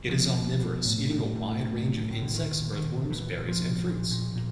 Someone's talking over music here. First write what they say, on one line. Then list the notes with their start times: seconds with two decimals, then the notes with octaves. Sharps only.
It is omnivorous, eating a wide range of insects, earthworms, berries, and fruits.
0.09 B2 F3
0.34 B2
0.59 B2
0.85 A2
1.10 A2
1.35 A2
1.60 A2 D3
1.84 A2
1.97 D3
2.10 A2
2.21 D3
2.31 E3
2.35 A#2 D#3
2.60 A#2
2.73 D#3
2.85 A#2
3.10 A#2 E3
3.36 A#2
3.48 F3
3.61 A#2
3.86 A#2
4.11 A#2
4.36 A#2